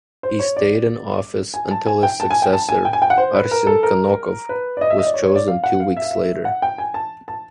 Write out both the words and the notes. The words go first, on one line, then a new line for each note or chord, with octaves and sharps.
He stayed in office until his successor, Arsen Kanokov was chosen two weeks later.
C5
C#5
D5
G#5
A5
G#5
G5
A5
G#5
G5
A5
G#5
G5
G#5
G5
F#5
C5
B4
A#4
A4
A#4
B4
D5
D#5
E5
D#5
D5
C#5
C#5
D5
F5
F#5
F5
E5
F5
E5
F#5
G5
G#5
A5
A5